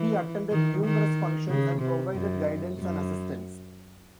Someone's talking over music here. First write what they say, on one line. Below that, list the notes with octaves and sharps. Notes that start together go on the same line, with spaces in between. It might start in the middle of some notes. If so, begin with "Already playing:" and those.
He attended numerous functions and provided guidance and assistance.
Already playing: E3
D#3
D#3
C#3
C3
F#2
F#2